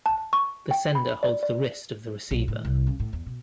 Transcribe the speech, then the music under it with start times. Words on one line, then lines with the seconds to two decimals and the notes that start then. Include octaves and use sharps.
The sender holds the wrist of the receiver.
0.06 A5
0.33 C#6
0.71 G5
0.95 B5
1.23 D5
1.43 D5
2.31 B1
2.48 A2
2.65 C2
2.87 C#3
3.00 A2
3.13 E2
3.26 B2